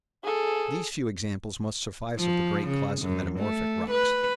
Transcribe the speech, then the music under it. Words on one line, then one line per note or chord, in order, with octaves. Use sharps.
These few examples must suffice of the great class of metamorphic rocks.
G#4 A4
F3
C#3
F#2
A3
B4